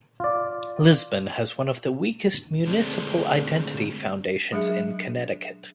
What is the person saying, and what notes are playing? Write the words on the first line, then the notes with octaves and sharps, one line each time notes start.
Lisbon has one of the weakest municipal identity foundations in Connecticut.
F4 D5
D3 G#3 A3 C4 D4
F#3 G#3 D4 G#4 E5